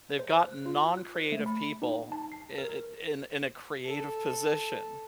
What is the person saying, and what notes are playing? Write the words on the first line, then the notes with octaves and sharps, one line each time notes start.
They've got non-creative people i i in in a creative position.
C5
F#6
F4
F#6
C5
A3
B5
D#4
A5
C7
A#4
A4